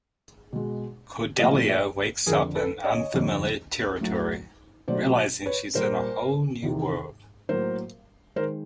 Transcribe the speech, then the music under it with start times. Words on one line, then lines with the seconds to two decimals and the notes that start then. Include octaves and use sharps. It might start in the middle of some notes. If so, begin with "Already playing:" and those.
Cordelia wakes up in unfamiliar territory, realizing she's in a whole new world.
0.53 B2 G#3
1.39 A#2 F3 A3 D#5 F5
1.69 D5 E5
2.26 F2 D3 F3 G#4 A#4
2.55 A4 B4
2.84 C#5 D#5
3.14 F2 D3 G3
4.01 A2 F#3 A3
4.88 B2 F#3 A3 C5 D5
5.46 B4 C#5
5.75 A#2 G3 A#3 A#4 C5
6.62 E2 C3 D#3
7.49 A2 F#3 A#3 A#4 C5
8.36 D#3 G#3 A#4 C5